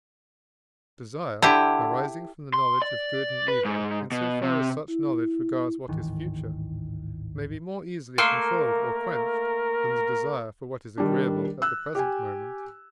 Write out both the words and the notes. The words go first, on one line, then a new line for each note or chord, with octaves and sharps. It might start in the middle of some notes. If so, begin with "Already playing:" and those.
Desire arising from the knowledge of good and evil, in so far as such knowledge regards what is future, may be more easily controlled or quenched, than the desire for what is agreeable at the present moment.
D3 E4 G4
C6
D5
B4
G#2
B2
C3
E4
D1 G#1 D#3 E3
A3 A#3 A#4 C6
D#3 G3 D4
E6 F#6
G4 G#5